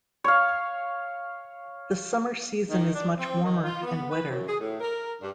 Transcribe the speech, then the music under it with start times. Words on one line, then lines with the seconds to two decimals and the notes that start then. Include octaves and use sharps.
The summer season is much warmer and wetter.
0.24 C#5 F5
2.71 D#3
2.95 D4
3.17 C4
3.44 D#3
3.64 F4
3.83 B3
4.10 B4
4.29 F#2
4.47 G#4
4.60 A2
4.80 A#4
5.20 G2